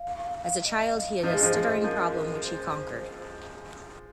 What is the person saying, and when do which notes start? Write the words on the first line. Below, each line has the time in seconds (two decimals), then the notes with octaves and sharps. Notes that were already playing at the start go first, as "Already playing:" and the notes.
As a child he had a stuttering problem which he conquered.
Already playing: F5
0.63 D#5
0.93 F5
1.23 F3 D#5
1.33 G#3
1.43 F3 C5
1.54 F3
1.64 G#4
1.84 F3 A#4
2.44 C5